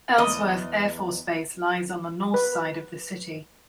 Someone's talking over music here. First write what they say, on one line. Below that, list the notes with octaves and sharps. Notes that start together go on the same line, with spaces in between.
Ellsworth Air Force Base lies on the north side of the city.
E2 D#5
B4